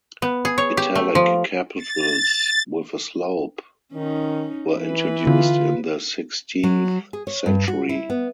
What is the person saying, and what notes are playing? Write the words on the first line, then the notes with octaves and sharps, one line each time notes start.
Italic capitals with a slope were introduced in the sixteenth century.
B3
G#4
C#5
G4
A3
F3
A6
D#3 C#4 D#4
E3 B4
D3 F4
F#3
G#4
C#5
G2
F#4
E4
B3